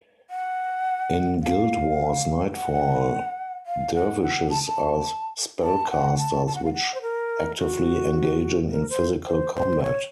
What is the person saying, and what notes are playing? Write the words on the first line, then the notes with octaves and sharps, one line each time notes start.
In "Guild Wars Nightfall", dervishes are spellcasters, which actively engaging in physical combat.
F#5
F5
F#5
F5
F#5
F#5
A5
A5
A5
F#5
A5
A5
F#5
F5
F#5
C5
A#4
F#4
A#4
C5
C5
C5
C#5